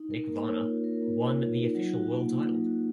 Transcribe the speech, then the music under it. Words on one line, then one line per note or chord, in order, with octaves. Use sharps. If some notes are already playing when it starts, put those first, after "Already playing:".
Nick Varner won the "official" world title.
Already playing: D#4
A#4
A#3
C#5
F4
A#4
A#3
C#5
F4
D#4
F#3
F#4
A#3
D#4
F#3
F#4